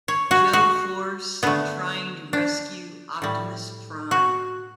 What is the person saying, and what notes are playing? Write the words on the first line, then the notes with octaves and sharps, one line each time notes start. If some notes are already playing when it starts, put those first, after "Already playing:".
Joe force trying to rescue Optimus Prime.
C#5
F#4
F#4
D3 A3 B3
D4
A2 G3
F#4